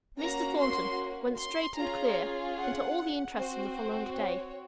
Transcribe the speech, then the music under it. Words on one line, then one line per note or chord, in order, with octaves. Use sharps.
Mr. Thornton went straight and clear into all the interests of the following day.
A#3 C#4 F#4 A#5
C6
C6
C#4 F4 G#4 A#5
F#5
C4 F#4 C5
C5
C#5